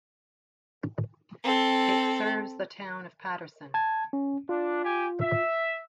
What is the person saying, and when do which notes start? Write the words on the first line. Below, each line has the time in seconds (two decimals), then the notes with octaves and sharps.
It serves the town of Paterson.
1.43 C4 A4
3.74 A5 G#6
4.13 C#4
4.49 D4 F4
4.83 G4 G#5
5.21 E5